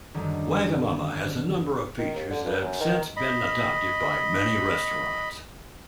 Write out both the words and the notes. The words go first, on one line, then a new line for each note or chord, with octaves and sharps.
Wagamama has a number of features that have since been adopted by many restaurants.
F#2 D3 D#3 G3
D#3
D#2
D3
G2
F#2
D#3
D#5 B5